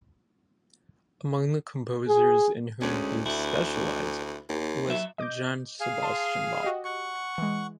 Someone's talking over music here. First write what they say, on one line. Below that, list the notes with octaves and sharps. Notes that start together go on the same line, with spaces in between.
Among the composers in whom he specialised was Johann Sebastian Bach.
G#4
D2 G#3 C#4
D2 E4
D#2
F#3 E5
D#5 D6 G6
G#4 F5 G#5
A5 C6
F#4 G4 D#5
F#5 C#6
E3 G#3